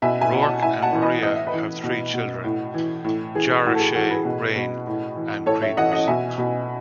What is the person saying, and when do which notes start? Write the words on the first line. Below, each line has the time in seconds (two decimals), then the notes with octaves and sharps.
Roark and Maria have three children: Jara Shea, Reign, and Credence.
0.02 B2 E5 G#5
0.21 E5 G#5
0.32 B2
0.42 F#5 A5
0.62 A2 E5 G#5
0.82 F#5 A5
0.92 E3
1.02 B4 D#5
1.23 A2 D#5
1.35 E5
1.47 B4 D#5
1.53 E3
1.84 B2
2.14 B2
2.44 A2
2.74 E3
3.05 A2
3.35 E3 G#4
3.65 A2 F#4
3.75 A4
3.80 G#4
3.95 E3 F#4 A4
4.10 G#4 B4
4.25 B2
4.56 B2
4.87 A2
5.16 E3
5.46 A2 A4 C#5
5.62 C#5 E5
5.77 E3 D#5 F#5
5.92 D#5 F#5
6.07 B2 E5 G#5
6.38 B2